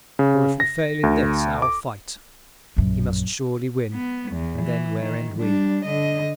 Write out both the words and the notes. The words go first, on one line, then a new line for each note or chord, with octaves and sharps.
For if we fail in this our fight he must surely win; and then where end we?
C#3
A#6
D2
D6
A#1 F#2
B3
E2
E3
D#3
G3 D4
D3 D#5